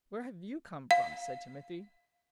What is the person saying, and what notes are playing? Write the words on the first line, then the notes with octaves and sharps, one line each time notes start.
"Where have you come from?" said Timothy.
F5